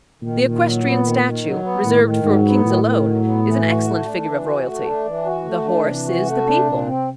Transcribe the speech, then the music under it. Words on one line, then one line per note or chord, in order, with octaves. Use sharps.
The equestrian statue, reserved for kings alone, is an excellent figure of royalty: the horse is the people.
A#2 D#3
D#3
F#3
B3
D#3
D#3
F#3
B3
A2 D#3
D#3
G#2 F#3
B3
A2 D#3
D#3
F#3
B3
E3
F#4
A3
D4
E3
F#4
A3
D4
E3
F#4
A3
D4
C3 E3
F#4
A3
D4
A#2
C4